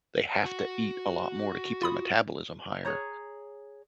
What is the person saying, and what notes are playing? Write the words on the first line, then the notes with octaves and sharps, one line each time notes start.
they have to eat a lot more to keep their metabolism higher
F#4
F4 B5 D#6
G#4 C#5 A#5